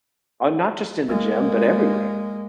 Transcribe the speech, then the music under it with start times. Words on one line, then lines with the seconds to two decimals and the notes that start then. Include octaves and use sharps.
Oh, not just in the gym, but everywhere.
1.08 G#3 A#3